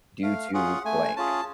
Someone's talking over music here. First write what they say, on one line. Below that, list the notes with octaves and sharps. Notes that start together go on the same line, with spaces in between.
due to blank."
A3 F5
C#4 F4 G#4 F#5
A3 G#5
C#4 F4 G#4 A5